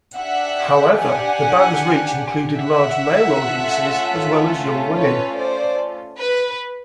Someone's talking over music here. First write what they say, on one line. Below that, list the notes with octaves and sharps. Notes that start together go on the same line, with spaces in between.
However, the band's reach included large male audiences as well as young women.
D4 G4 E5 F#5
F#5 G#5
E5 F#5
A3 C#4 F4 A4
B4 C#5
C5 D5
B4